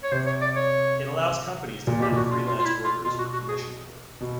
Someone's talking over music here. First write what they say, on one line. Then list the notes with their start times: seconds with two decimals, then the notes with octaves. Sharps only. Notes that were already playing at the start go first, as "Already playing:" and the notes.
It allows companies to find freelance workers for commissioned work.
0.03 C#5
0.11 C3 C5
0.27 C#5
0.41 D5
0.56 C#5
1.87 A#2
1.99 B2 G4
2.12 A#2 F#4
2.31 F4
2.46 F4
2.58 F4
2.66 E4
2.84 F4
3.04 B2 F4
3.19 F#4
3.33 F#4
3.48 G#4
4.21 B2